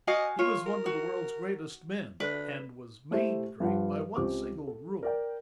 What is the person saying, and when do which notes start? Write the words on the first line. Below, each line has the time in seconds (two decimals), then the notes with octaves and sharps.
He was one of the world's greatest men, and was made great by one single rule.
0.07 F#4 D#5 F5 G#5
0.39 F4 C#5
0.66 A#4
0.86 F#4
2.20 D3 B4
3.11 A3 E4 G4 A4 C5 E5
3.60 G2 F3 F#5
4.16 C#2 C4 G4 D6
4.67 A4
5.03 A#4 D5 G5